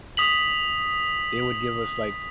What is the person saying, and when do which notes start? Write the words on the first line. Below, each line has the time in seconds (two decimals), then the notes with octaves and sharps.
they would give us, like,
0.17 D#6 B6 F#7